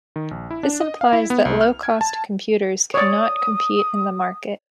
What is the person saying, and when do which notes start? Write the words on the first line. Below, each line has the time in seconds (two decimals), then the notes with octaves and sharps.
This implies that low-cost computers cannot compete in the market.
0.16 D#3
0.31 A#1
0.51 E4
0.63 D4
0.80 D#5
1.01 F5
1.13 E4
1.30 B3
1.45 C2
1.61 F6
1.83 G#6
2.01 A5
2.94 C#5 D5 D#6